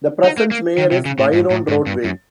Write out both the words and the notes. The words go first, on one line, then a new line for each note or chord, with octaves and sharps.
The present Mayor is Byron Rodway.
D#4
A#3
A#3
D#3
C3
C#3
A2
G#2
A2
G#2
G2
F#2